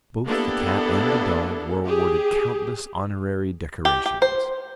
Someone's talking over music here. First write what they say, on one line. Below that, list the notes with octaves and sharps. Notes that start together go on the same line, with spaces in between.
Both the cat and the dog were awarded countless honorary decorations.
A#3 B3 D4 E4 G4 A4
G4 G#4
G4
G4
C5